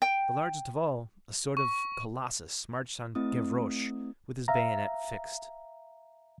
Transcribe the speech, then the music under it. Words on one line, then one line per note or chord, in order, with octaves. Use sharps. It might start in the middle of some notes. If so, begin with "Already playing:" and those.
The largest of all, a sort of colossus, marched on Gavroche with his bayonet fixed.
G5
C#6
A3 C4 E4 D#6
E5 F5 A#5